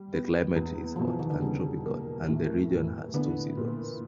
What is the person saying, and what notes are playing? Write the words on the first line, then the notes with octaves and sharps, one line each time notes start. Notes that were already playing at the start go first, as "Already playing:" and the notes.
The climate is hot and tropical and the region has two seasons.
Already playing: G3
B3
E2
B2 F3
E3
D#3
D3
C#3 G3
A#3
A2
E3
D3 B3
A#2